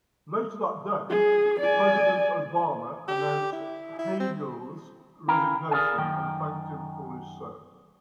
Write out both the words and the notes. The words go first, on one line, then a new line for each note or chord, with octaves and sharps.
Later that day, President Obama announced Hagel's resignation and thanked him for his service.
G#4
D5 G#5
G4
E4
E4
C4
C#4 E4 A#4 F5 G5 A#5
G#4 A#4 D5 F5 G#5
F#2 D#3 G5